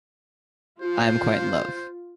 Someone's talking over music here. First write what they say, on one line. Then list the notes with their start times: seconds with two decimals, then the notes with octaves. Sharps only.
I am quite in love.
0.82 F4 C5